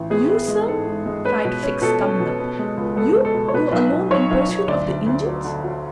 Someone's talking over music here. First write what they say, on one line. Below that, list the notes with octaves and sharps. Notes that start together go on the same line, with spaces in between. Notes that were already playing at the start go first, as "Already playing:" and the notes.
"You, sir!" cried Fix, coming up; "you go alone in pursuit of the Indians?"
Already playing: A1
B3 G#4
B3
G#3
G#2 A4
G#2
G#3
C#4 B4
B2
C#4
B2 A4
C#4
B2
B3
G#3
C#2
B3 A4
G#3
A4
B2
C#5
B2 B4
B1
B1
B1 C#5
B1
B1
D2 D5
D2
D2
F#3
D3
F#3